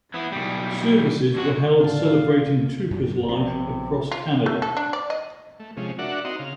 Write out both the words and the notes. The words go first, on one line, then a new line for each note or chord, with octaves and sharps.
Services were held celebrating Tooker's life across Canada.
E3 B3
B1 G3
F2 F#4
A2 D3 D4 F4 F5
F#2
A#1 C3 B3 C4
F4
A3
A4
D4
D5
D#5
A3
C3 F3 G#3 C#4
D4 F#4 A#4 D5 E5 F#5
C4 D#4 F#4 D#5 A#5 C6
C#3 F5